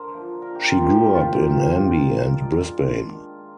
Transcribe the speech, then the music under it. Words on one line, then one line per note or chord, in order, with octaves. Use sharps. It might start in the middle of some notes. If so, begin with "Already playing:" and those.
She grew up in Amby and Brisbane.
Already playing: D3 A#4 C5
F3 A#3 D4
D3 A#4
G4
F3 A#3 D4 F4
G4
C3 G4
F4
F3 A#3 D#4
G4
C3 F4
F3 A#3 D#4 G4
A#2
A#4
G#3 D4 F4 D5
D#5
A#2
G#3 D4 F4
D#3
A#3